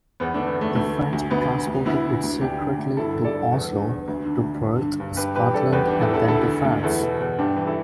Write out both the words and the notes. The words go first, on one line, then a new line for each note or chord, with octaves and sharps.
The French transported it secretly to Oslo, to Perth, Scotland, and then to France.
E2 B3
D3 A3 D4
B3
E2 A3
D2 A3
D3
D2
D2 B3
D3
D2
D2 B3 E4
D3
D2
D2 D4 G4
D3
D2
G2 E4 A4
D3
A4 D5
G2
E2
D3
E2
D2
D3
D2
G2
D3
G2
G2 G4 B4
E3 G4 B4
G2 A4 D5
E2 G4 B4
E3 D4 G4
E4 A4
E2 E4 A4
D2 E4 A4
D3
D2
E2 E4 A4
B2
E2
G2 D4 G4
E3
E4 A4